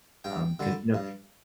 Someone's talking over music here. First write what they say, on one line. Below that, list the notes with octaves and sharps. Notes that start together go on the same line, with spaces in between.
um, 'cause, you know,
G2 G5
D3 G3
G2